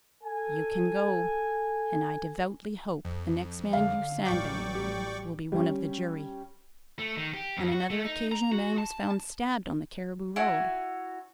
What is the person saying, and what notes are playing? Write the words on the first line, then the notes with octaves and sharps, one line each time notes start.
You can go, and I devoutly hope the next man you sandbag will be one of the jury.' On another occasion a man was found stabbed on the Cariboo Road.
A4 G#5
F2
D3 F5
A1 F#3 G3 D5 G5 C#6
G4
G3 C#4
A3
D#3
G4
F2
F#4
A3
D#4
A#5
F#4
A5
E4 F#4 C#5 G#5